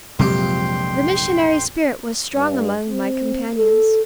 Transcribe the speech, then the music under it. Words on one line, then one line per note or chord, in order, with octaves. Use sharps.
The missionary spirit was strong among my companions.
A#1 F2 C3 F#3 G#3 G4 G5 C6
G2
C4
A4